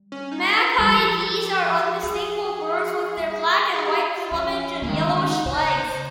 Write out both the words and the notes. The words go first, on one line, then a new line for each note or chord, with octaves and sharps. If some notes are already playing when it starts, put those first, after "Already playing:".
Magpie geese are unmistakable birds with their black and white plumage and yellowish legs.
Already playing: G3
C#4
D#4
F4
D#4
F4
G3 G4
F3
F3 G#4
G3
G#4
G4
F4
F3 C#4
C#3 A#3
D#3 G#3
C#4
D#4
C#3 C5
D#5
C#5
C5
C5